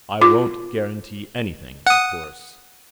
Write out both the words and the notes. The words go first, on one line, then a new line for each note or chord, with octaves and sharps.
"I won't guarantee anything, of course...."
F4 D6
F#5 D#6